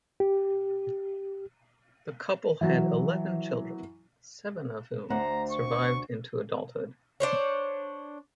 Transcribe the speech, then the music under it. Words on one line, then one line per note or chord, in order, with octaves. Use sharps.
The couple had eleven children, seven of whom survived into adulthood.
G4
E3 F#3
D2 C5 F#5 A#5
C#6
D4 C5 C#5